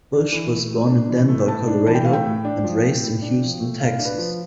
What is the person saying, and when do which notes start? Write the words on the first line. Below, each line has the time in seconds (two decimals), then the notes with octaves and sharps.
Bush was born in Denver, Colorado, and raised in Houston, Texas.
0.13 D4
0.33 E3
0.51 A3
0.71 A2
0.90 D4
1.09 E3
1.29 A3
1.48 A2 A5
1.67 D4
1.87 E3 A5
1.95 G5
2.05 A3 F5
2.13 G5
2.25 A2
2.45 D4
2.64 F3
2.83 A3
3.03 A2
3.22 D4
3.42 F3
3.60 A3
3.80 A2 F5
3.99 D4
4.05 B4
4.18 F3